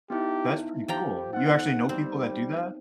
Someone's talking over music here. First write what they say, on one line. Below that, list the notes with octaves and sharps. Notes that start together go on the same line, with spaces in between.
That's pretty cool. You actually know people that do that?
B3 D#4 E4 G4
F3 G4 G5 A#5
B3 D#4 F#5
G3 C4